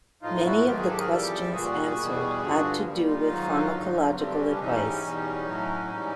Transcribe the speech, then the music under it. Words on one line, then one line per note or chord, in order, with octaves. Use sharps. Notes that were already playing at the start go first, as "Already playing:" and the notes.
Many of the questions answered had to do with pharmacological advice.
A2 F3 D#4 F4
F4
E4 F#4
G#2 D#3 F#3 F4 G4
F#4 G#4
G4 A4
G#4 A#4
F2 C#3 E3 G3 G4 A4
A#2 G3 F#4 G#4
E2 B2 G3
G2 D3 F3
A#2 G3
D#4 F4
G#2 D#3 F#3
G2 D3 F#3
G2 D3 G3 C4
D4
C#4
D4
G#2 E3 G3 C#4 D#4
E2 B2 G3
A2 F#3
G#2 E3 G3